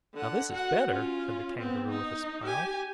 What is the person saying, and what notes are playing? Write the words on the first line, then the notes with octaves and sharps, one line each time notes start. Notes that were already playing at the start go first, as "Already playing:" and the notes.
"Now this is better!" said the Kangaroo, with a smile.
D3 F#5
F#4 F#5
C#4 F4
B3 C4
D#4
G4 G#5